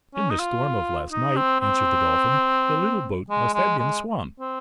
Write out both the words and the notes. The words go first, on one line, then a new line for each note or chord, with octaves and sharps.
"In the storm of last night," answered the Dolphin, "the little boat must have been swamped."
C#4
D#4
F4
D#4
C4
C4
G#3
G#3
G#3
C4